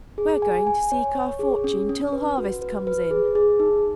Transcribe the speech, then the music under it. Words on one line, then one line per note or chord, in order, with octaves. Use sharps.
"We're going to seek our fortune till harvest comes in."
G#4
G#5
G#5
C#5
C#5
G#4
C#4
C#4
B4
F#4
B4
B4
G#4
G#4
D#4